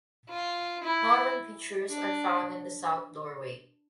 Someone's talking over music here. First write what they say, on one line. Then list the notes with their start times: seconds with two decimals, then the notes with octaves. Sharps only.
Norman features are found in the south doorway.
0.29 F4
0.83 E4
1.88 D4